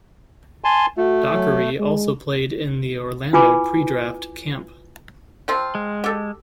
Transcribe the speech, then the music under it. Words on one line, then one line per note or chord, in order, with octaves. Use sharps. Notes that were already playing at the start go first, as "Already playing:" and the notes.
Dockery also played in the Orlando Pre-Draft Camp.
G#5 A5 C6
A3 F#4
F#3
G#3
E4 F4 B4 G#5 D6
F3 C4 F4
G#3
G4 A4